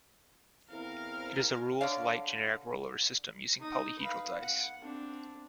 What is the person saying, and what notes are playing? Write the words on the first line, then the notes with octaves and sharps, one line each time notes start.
It is a rules light generic roll-over system using polyhedral dice.
E2 C4 E4 A#4 F5 F6
D3 C#5 D5 F5
D#4 D#6
B4 F5
F#5
C4 D4